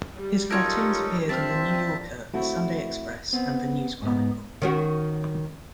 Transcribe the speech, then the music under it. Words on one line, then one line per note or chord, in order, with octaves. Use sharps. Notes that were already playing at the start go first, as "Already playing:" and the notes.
His cartoons appeared in "The New Yorker", the "Sunday Express" and the "News Chronicle".
G3
C#4 D#4 F4 A4 A#4 C#5
C4 D4 F4 E5 A5 F6
A3 C4 E4 F#4
B3 C4
G#2 B3
D#3 C#4 F#4